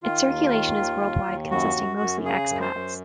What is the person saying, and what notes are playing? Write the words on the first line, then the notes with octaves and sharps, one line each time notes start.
Its circulation is worldwide consisting mostly ex-pats.
D#3 F4
D#2
D#3
D#2
D#2
D#2
F#2 F#4
F#2
F#2
C#3 G#4
F#2
C5
F#2